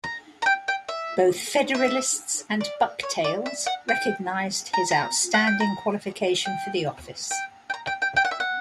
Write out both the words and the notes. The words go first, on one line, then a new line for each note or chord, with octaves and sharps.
Both Federalists and Bucktails recognized his outstanding qualification for the office.
A#5
A#5
G5
G5
E5
E5
D5
C#5
D5
E5
F#5
G5
A#5
A#5
F#5
G5
A#5
G5
G5
G5
A#5
G5
G5
G5
F#5
E5
F#5